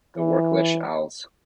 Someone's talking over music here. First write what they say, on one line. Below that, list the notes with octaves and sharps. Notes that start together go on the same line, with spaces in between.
The Wirklich alles!
E3